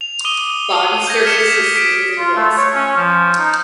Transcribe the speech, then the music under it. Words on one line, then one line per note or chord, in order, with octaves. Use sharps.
Body surface is smooth and glossy.
F7
D6 D#6 D#7 G7
G6 G#6 A#6
F6 B6 C#7 E7 G7
B6 D7
F4
A3
C#5
C#4
F3
D#4